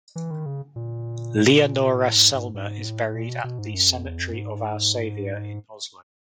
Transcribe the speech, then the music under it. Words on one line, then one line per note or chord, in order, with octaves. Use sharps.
Leonora Selmer is buried at the Cemetery of Our Saviour in Oslo.
E3
D#3
C#3
A#2
A2
G#2
G#2
G#2
A2
A#2
B2
B2
G#2
F#2
F2
E2
F2
G#2